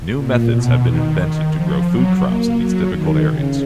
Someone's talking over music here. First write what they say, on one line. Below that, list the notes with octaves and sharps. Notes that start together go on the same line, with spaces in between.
New methods have been invented to grow food crops in these difficult areas.
A#2
B2
D#3
D#3
F3
F#3
A#3
F#3
D#3
C#3